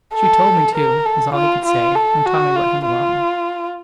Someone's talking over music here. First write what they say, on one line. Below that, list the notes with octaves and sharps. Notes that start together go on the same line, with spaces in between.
"She told me to," was all he could say, when Tommy let him alone.
A4
A#4
A4
F4
F4
A4
F#4
F4
F4